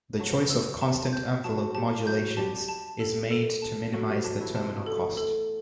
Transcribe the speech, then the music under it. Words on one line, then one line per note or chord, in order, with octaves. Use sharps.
The choice of constant envelope modulations is made to minimize the terminal cost.
F#3 F#4 A5
E6
A5
G6
F#3 F#4 A5
G3 G4 A5
F#3 F#4 G6
G3 G4 A5
A5
A4
A4
A5
F#3 F#4 A4
G3 G4
F#3 F#4 A5
E3 E4
C3 C4 A5
B2 B3
A4
A2 A3
A4